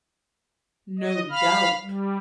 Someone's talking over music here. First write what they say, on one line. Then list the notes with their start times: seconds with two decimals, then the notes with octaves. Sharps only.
"No doubt."
0.99 D#5
1.30 F5 B5 F6
1.81 G3